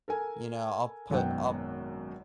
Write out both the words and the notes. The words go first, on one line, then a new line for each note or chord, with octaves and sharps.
you know, I'll put I'll
A4 A#4 G#5
G#1 F#2 B2 F#5 G5